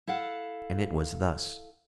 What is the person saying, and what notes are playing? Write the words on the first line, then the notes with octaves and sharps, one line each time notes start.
And it was thus.
E4 A4 F5 F#5